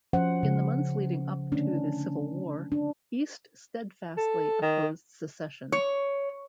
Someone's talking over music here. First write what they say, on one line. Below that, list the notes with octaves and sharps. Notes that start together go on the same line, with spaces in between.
In the months leading up to the Civil War, East steadfastly opposed secession.
F3 C#4 C5 F#5
C#3
D3 A3 C#4 D4
D4
A4
D#3
C#5